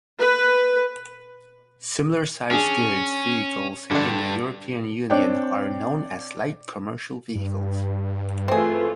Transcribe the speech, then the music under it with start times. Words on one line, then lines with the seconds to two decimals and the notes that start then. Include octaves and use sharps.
Similar sized goods vehicles in the European Union are known as light commercial vehicles.
0.19 B4
2.51 C#4 D4 G#4
3.91 G2 D3 D4
5.10 C4 D4 C#5 G5
7.35 G2
8.48 E3 A3 C4 F4 G#4